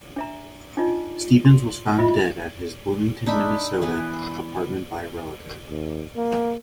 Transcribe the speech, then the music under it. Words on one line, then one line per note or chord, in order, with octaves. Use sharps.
Stephens was found dead at his Bloomington, Minnesota apartment by a relative.
D4 E5 A#5
D4 D#4 F4 D#5
C6
F4 D#5 E5 B5
D4 D#4 E5 B5
E3 B3 B4 G#5
D#2
A#3